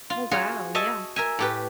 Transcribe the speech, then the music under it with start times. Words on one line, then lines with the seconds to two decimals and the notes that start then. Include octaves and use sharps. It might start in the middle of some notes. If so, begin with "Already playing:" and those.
Oh, wow. Yeah.
0.10 F4
0.31 F4 F#4 G#4 C#5
0.75 C#5 D#5 E5 A5
1.16 A#4 E5 G#5
1.39 A2 G4 B4